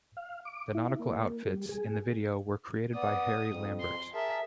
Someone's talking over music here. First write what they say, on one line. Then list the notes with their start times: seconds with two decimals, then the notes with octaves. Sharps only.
The nautical outfits in the video were created by Harry Lambert.
0.17 F5
0.45 D6
0.75 E4
0.99 A#3
1.46 G3
1.69 G#4
2.95 B3 D5 D#6
3.48 F2
3.80 C6
4.15 G#4 A#4 E5 A5